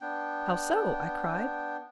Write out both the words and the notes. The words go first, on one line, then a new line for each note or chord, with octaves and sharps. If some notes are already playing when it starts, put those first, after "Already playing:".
"How so?" I cried.
B3 D4 G5